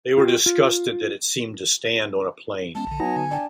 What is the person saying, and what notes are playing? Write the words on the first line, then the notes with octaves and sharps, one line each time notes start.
They were disgusted that it seemed to stand on a plain.
F4 G4
F4
G#3 B3 C#4 A5
A#1 D3
F#3 B3 D#4 F#5 G#5 A#5 A#6
D3
D4 G5 A5